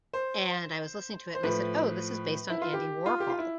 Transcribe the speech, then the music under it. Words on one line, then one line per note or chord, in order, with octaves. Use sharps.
and I was listening to it and I said, "Oh, this is based on Andy Warhol."
C5
C5
A2 F3 B4
E4
F4
G4
F4
G4
F4
E4